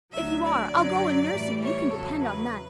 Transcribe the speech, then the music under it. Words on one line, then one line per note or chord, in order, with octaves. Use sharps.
If you are I'll go and nurse you, you can depend on that.
D2 D3 F#3 E5
D5
F#2 D3 F#3
A2 E3 G3
C#5
E2 C#3 F#3 A4
B4